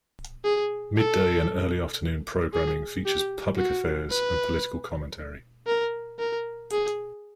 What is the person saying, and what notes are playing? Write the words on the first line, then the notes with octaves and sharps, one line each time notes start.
Midday and early afternoon programming features public affairs and political commentary.
G#4
A4
G#4
G4
F#4
B4
A#4
A#4
G#4